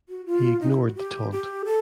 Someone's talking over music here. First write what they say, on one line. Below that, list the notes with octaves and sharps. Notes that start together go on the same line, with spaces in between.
He ignored the taunt.
F#4
F4
D#4
E4
F#4
G4
G4
A4